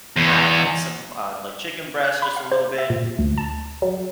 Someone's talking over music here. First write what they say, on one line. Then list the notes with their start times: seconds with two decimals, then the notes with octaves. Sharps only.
uh, like, some, uh, like, chicken breast, just a little bit,
0.16 E2
2.04 F#6
2.22 B5
2.37 F5
2.52 C5
2.78 E5
2.90 A#2
3.19 D2
3.38 A5
3.82 F#3